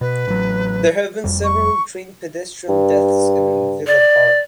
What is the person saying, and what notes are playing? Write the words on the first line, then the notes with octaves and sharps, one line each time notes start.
There have been several train-pedestrian deaths in Villa Park.
B2 B4
A1 F#3
F1 F2 G3
C#6
G2
D5